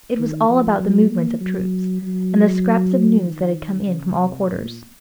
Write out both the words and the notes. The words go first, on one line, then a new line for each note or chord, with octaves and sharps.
It was all about the movements of troops, and the scraps of news that had come in from all quarters.
D#3
F3
F#3
A#3
F#3
F#3
D#3
C#3
C3
A#2